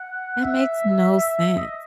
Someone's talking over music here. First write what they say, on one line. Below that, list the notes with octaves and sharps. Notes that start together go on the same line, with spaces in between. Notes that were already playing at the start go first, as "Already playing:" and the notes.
That makes no sense.
Already playing: F#5
E5
D#5